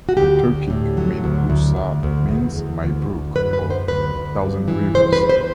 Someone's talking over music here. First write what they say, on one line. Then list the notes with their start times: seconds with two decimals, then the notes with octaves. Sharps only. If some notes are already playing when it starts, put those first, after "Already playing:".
The Turkic "Min Usa" means "my brook", or "thousand rivers".
0.09 F#4
0.17 D2 G4
0.44 D2
0.70 A2
0.97 F#3
1.24 D2
1.50 D2
1.76 D2
2.03 D2
2.29 E2
2.56 E2
2.83 D2
3.09 D2
3.35 F#2 B4
3.53 B4
3.62 F#2
3.70 C5
3.88 D2 B4
4.15 D2
4.41 G2
4.68 E3
4.94 E2 C5
5.13 B4
5.21 E2
5.29 C5